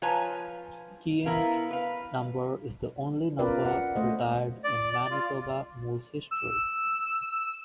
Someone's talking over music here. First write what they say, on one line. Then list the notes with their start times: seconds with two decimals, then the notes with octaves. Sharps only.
Keane's number is the only number retired in Manitoba Moose history.
0.02 F3 F4 B4 C#5 G#5 A#5
1.26 B3 E4 A#4 F5
1.71 B4 F5
3.39 B3 C#4 F4 A#4 B4 D5
3.65 F#5
3.96 A3 C5 D#5
4.64 D5
4.93 D5
5.11 F4
6.31 E6